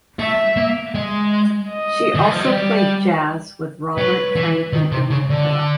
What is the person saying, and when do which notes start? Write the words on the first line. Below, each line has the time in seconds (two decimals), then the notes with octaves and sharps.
She also played jazz with Robert Frank and Iggy Quail.
0.19 A3 E5
0.57 A#3
0.95 G#3
1.71 D#5
2.15 D#3
2.23 E3
2.31 F3
2.39 F#3
2.47 G3
3.98 F#3 B4
4.36 E3
4.73 D#3
4.92 C3
5.11 C#3
5.30 D3